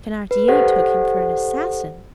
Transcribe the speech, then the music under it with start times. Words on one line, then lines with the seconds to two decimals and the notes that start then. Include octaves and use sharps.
Thenardier took him for an assassin.
0.31 B4
0.48 G4 A4 C5 D5 F#5